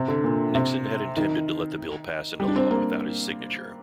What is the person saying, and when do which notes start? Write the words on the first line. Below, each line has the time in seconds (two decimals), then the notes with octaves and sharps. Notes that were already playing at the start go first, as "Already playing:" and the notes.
Nixon had intended to let the bill pass into law without his signature.
Already playing: C3
0.08 D3
0.24 A#2
0.55 C3
1.17 D#3
2.40 G3
2.48 D4
2.56 C4
2.71 A#3